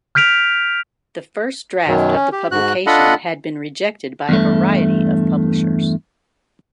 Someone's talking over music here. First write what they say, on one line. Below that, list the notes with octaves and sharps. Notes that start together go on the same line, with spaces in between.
The first draft of the publication had been rejected by a variety of publishers.
F6 G6 B6 D7 F7
F#2 B2 D#3 F#3
C#4
G4
G#2 F#4 F#6
D4 F4 A4 D#5 F#5 B5
E2 G2 A3